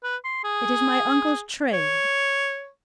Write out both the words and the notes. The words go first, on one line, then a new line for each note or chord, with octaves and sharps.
"It is my uncle's trade."
B4
C6
G#4
C#5